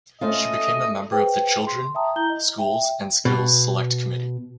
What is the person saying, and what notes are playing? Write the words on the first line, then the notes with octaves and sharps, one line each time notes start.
She became a member of the Children, Schools and Skills Select Committee.
A3 C#4 F4 D#5
G#4 B4 C5 G5
C6
E5 G5 A5 A#5 D#6
E4 A#5 G6 G7
D#5
E5 G5
B2